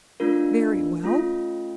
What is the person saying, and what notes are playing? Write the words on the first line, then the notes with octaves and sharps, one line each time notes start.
Very well.
A3 D4 F4 A#4
A3 C#4 F4